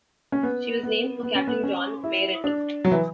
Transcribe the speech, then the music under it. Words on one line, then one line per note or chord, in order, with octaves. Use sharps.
She was named for Captain John Mayrant.
C#4
B3
B3
B3
C#4
B3
C#4
E4
D4
F#3
E3